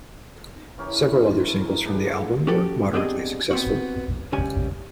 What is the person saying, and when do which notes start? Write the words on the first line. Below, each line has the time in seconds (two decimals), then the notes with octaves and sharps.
Several other singles from the album were moderately successful.
0.78 E3 C#4 G4 A#4
1.12 C6 C#6
1.47 E4 A4
1.61 A#4
1.86 D4 G4 G#4 B4
2.05 A#2 D3 G#3 A3
2.47 C#4 F#4 G4 A4
2.93 B3 C4 D4 G4 G#4 D#5
3.51 B3 C4 F#4
4.33 C#2 G3 C#4 G#5